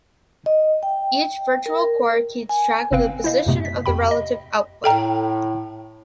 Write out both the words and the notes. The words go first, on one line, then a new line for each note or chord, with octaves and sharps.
Each virtual core keeps track of the position of the relative output.
D#5
G5
A#4
G#5
G1 C3 C4 B4 F5 G5
E4 C5 D#5 F5
F#2 A2 C3 A3 B3
B6
F2 G4 G5 B5
D#5
A2 A4 G5 A#5